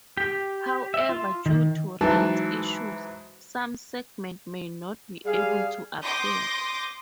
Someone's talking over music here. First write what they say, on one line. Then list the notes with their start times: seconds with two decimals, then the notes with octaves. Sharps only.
However, due to rights issues, some segments may not be able to appear.
0.17 G4
0.94 E5
1.09 F4
1.46 D#3
2.01 G#2 E3 F#3 A5
5.24 G3 G#4 F5
6.03 C6 D6 D#6 G6 A#6